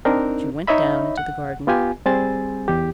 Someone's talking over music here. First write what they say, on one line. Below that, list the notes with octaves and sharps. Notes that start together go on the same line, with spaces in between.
She went down into the garden.
C4 D4 D#4 A#4
D#4 C#5 D#5 E5 B5
F#5
B3 F4 G4 G#5
G3 C4 G#4 C5 G#5 A6
E2 G4